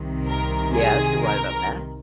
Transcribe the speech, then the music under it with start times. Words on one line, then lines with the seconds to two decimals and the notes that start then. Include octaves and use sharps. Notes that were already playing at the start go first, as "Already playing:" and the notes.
Yes, you're right about that.
Already playing: C2 C3 D#3
0.27 A#4
0.77 G#4
1.25 A#4